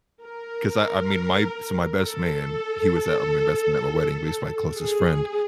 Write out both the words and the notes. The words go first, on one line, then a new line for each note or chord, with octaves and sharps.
'Cause I I mean, my so, my best man, he was at my best man at my wedding, but he's my closest friend.
A#4
A4
G#4